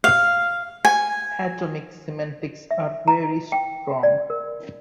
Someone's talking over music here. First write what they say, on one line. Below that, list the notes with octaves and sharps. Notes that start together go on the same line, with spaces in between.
Atomic semantics are very strong.
F5
G#5
E5
A#5
G5
D5
A#4